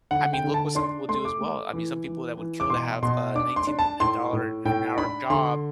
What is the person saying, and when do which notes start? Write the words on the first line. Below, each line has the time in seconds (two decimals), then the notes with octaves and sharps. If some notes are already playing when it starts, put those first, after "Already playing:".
I mean, look what some people do as well. I mean, some people that would kill to have a nineteen uh, dollar-an-hour job
0.11 D3 F#5
0.33 G5
0.44 D3
0.54 A5
0.75 D4 C6
1.08 A3 C6
1.25 D6
1.40 A3
1.73 E3
2.05 E3
2.37 E3
2.60 D6
2.70 B2 C6
3.03 B2 C6
3.35 D4 D6
3.56 C6
3.67 D4
3.79 A5
4.00 A2 C6
4.33 A2
4.65 A2 G5
4.97 D4 B5
5.30 D3 C6